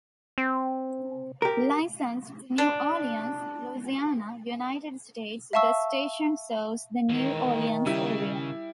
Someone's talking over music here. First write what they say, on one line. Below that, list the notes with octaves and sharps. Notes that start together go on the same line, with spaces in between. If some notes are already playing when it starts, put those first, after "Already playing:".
Licensed to New Orleans, Louisiana, United States, the station serves the New Orleans area.
C4
G4 A#4
D4
E5 F5 A5 C#6 E6
D#3 E3 G#3
C#3 G3 E4